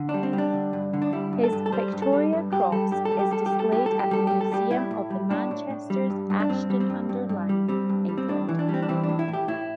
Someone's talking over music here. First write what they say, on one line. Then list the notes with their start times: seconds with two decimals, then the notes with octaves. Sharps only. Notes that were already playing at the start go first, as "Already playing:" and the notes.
His Victoria Cross is displayed at the Museum of the Manchesters, Ashton-under-Lyne, England.
Already playing: D3
0.09 D4
0.14 G3
0.23 C4
0.33 G3
0.38 D4
0.53 D3
0.73 G2
0.93 D3
1.02 D4
1.13 G3 E4
1.33 G2
1.43 A4
1.52 G2
1.66 A4
1.72 G3 C5
1.93 G2
2.02 A4
2.12 G3
2.33 G2
2.52 G2 G4
2.72 G3 A4
2.91 G2 G4
3.05 A4
3.12 G3
3.19 G4
3.31 G3 A4
3.46 G4
3.52 G3
3.60 A4
3.72 A2 G4
3.86 A4
3.92 G3
4.00 G4
4.11 G3 A4
4.27 A2 G4
4.41 A4
4.52 G3 G4
4.71 A2 E4
4.91 A2
5.10 G3
5.30 A2 D4
5.51 A2
5.70 A2
5.90 G3
6.10 G2
6.30 G2
6.40 D4
6.49 G2 C4
6.70 G3
6.80 C4
6.90 G2
7.09 G2
7.29 G2
7.49 G3
7.68 G3 C4
7.89 G2
8.09 G3
8.18 C4
8.28 A2 D4
8.49 E3
8.59 D4
8.69 G3
8.74 C4
8.82 D4
8.89 E3 C4
9.03 D4
9.09 A2
9.19 E4
9.28 A2
9.33 G4
9.48 A2 E4